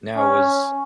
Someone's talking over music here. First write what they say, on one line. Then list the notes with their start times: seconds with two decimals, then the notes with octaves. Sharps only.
Now was
0.17 C#4